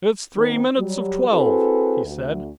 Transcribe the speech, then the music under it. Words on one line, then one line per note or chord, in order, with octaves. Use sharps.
"It's three minutes of twelve," he said.
D#3 B3 C4
F#3 G3
C4 E4 F#4 G#4 A4 B4
D2